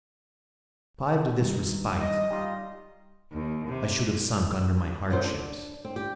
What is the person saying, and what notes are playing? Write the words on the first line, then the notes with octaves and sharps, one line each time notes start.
Deprived of this respite, I should have sunk under my hardships.
G2 D#3
D#5
G3 D#4 F4
D#2
C3
F#2 A#2 F#3 D#4 C5
D4
C4
G4